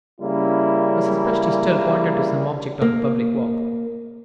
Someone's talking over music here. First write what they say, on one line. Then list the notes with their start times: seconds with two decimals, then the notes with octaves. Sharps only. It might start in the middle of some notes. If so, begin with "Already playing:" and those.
Mrs. Presty still pointed to some object on the public walk.
0.20 C#3 G3 A#3 C#4 E4
2.82 A#3